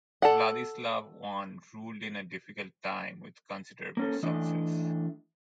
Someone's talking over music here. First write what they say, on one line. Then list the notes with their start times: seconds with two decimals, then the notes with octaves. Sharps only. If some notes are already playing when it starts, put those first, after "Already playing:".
Vladislav I ruled in a difficult time with considerable success.
0.22 A4 D5 F#5
3.97 A#3 C#4 A4
4.23 E3 A3 D4 D#5